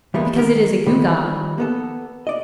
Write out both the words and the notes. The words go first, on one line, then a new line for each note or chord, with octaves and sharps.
Because it is a gewgaw.
E3 G3 G#3 A#3 B3
D#3 A#4
D#3 F3 G3
A#3 B3 A4
D5 D#5